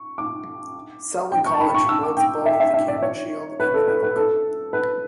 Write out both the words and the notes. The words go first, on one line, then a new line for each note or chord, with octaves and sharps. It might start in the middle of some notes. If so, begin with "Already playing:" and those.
Selwyn college holds both The Cameron Shield and The Nevill Cup.
Already playing: C#6
D6
G5
C#6
A5
B5
C#6
E6
D6
G5
E5
E5
E5
D5
C#5
B4
A4
B4
B4
A4
B4